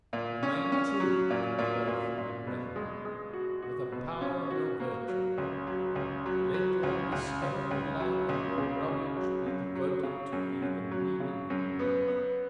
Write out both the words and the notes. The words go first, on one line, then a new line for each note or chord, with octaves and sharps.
Remain true to the earth, my brethren, with the power of your virtue! Let your bestowing love and your knowledge be devoted to be the meaning of the earth!
A#2
C#4
C#4
F#3
A#2
A#2
A#2
A#2
B2
G#3
G#3
F#4
F#4
B2
C#4
F#4
A#3
F#3
C#2
F#3
C#2
F#3
F#3
C#2
C#2
C#2
C#2
F#3
C#2
C#3
C#2
F#3
F#2
F#3
C#3
F#2
F#2
F#3
C#3
F#2
B3
B3